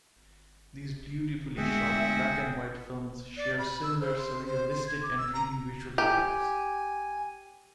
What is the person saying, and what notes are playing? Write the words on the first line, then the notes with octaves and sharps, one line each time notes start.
These beautifully shot, black and white films share similar surrealistic and dreamy visual effects.
D2 G#3 B3 F#4 G#4 E5 G5
D5
B5
E6
C5
C6
C5
C6
G#6
D6
E6
A#5
G4 G#5